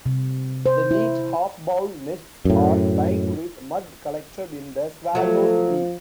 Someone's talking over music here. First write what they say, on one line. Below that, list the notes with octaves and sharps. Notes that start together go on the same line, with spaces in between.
The neat half-bowl nests are lined with mud collected in the swallows' beaks.
C3
C5
E4
F#2 A2
F3 F#3 A3